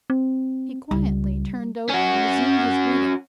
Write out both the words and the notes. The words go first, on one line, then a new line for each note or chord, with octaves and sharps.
He quietly turned over, and resumed his reading.
C4
C#2 G3
C#4 F#4